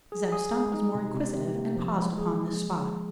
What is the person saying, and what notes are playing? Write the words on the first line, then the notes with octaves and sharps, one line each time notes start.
Zeb Stump was more inquisitive, and paused upon this spot.
G#4
G#4
G#3
D#4
C3
C3
C3
A#3
F3
G#3
G#4